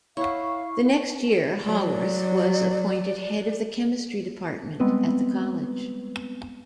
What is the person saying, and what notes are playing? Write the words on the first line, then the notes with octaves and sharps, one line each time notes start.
The next year Haworth was appointed Head of the Chemistry Department at the college.
E4 C#5 F5 F#5 C#6
F#3 D5
G3 G#3 B3 C4 B4